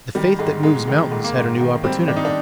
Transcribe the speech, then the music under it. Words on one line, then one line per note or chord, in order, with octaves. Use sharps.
The faith that "moves mountains" had a new opportunity.
D#3 G3
G#2 G#3
G#2 G#3
D#3 G#3
G#2
A#3
G#2
D#3
G3 C4
D#3 D4
D#4
D4